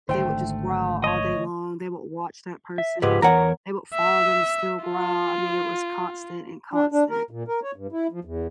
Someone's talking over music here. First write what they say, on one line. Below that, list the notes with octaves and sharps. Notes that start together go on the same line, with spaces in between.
they would just growl all day long, they would watch that person, they would follow them, still growl, I mean, it was constant and constant
G#1 D2 D#3 A3 C5 G5
C#5 D#5
E5
C#2 G#2 G4 G#4 B4
E2 A#4 C#5 F#5 A#5
E5
F4
D4
D4
A#4
A#2
A#4
C#5
G2
E4
F3
E2